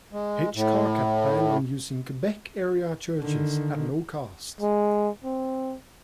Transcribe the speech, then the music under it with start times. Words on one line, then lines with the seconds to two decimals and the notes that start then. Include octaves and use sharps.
Hitchcock had planned on using Quebec-area churches at no cost.
0.12 G#3
0.54 A2
3.21 D3 D#3
4.61 G#3
5.24 C4